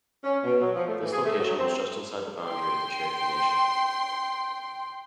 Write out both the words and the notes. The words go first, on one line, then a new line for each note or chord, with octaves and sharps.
This location was just inside the boundary of the Cherokee nation.
C#4
B2
F#3
F3
A3
E3
G#4
A3
F#3
C4
G5 C6